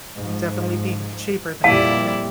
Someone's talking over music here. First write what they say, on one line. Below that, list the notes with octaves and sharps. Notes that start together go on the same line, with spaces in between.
definitely be cheaper than
G#2 F3
F2 A#2 G3 E4 D5 F5 A5